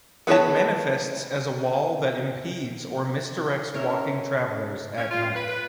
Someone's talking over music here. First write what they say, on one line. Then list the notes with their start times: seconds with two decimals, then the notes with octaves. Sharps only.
It manifests as a wall that impedes or misdirects walking travelers at night.
0.27 B3 G#4 C5 C#5 A5
3.74 C#4 A#4 E5
4.97 C#4
5.11 F4
5.34 B4
5.48 B4